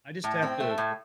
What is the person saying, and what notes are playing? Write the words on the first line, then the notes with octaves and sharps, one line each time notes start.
I just have to
A2 A5
A5
C4
G5
A3
A5
A2